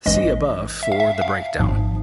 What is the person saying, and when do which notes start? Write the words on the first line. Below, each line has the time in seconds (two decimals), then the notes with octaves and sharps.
See above for the breakdown.
0.06 A1 G2 E3 G#3 D#5
0.83 E5
0.92 F5
1.00 E5
1.21 F5
1.60 G#1 G#2 F3